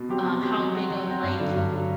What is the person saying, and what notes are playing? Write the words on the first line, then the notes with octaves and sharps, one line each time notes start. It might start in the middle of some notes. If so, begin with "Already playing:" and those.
um, how big of like,
Already playing: B2
F#3 C4 G4
B2
F#3 C4 G4
F#3
C4 F#4
F#3
C4 F#4
G2
D3 F#3
G2
D3 F#3